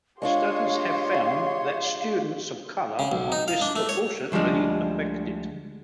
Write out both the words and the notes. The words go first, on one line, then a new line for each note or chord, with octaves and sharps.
Studies have found that students of color are disproportionately affected.
G#3 D4 F4 G4 C#5 F5 C6
C#3
B1
D#4
F5
D4
A3
C#5
D2 F3 G3 G#3 D4